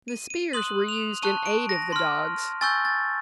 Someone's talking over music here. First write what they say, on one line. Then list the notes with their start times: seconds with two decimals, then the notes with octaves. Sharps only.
The spears were used in aid of the dogs.
0.08 D#7
0.30 D#7
0.53 C6 D#6 F#6 F#7
0.88 F7
1.22 A5 C#6 F#6 D#7
1.46 D7
1.69 A#6
1.92 C6 F6
2.61 G#5 C#6 E6 G6 A6
2.85 A6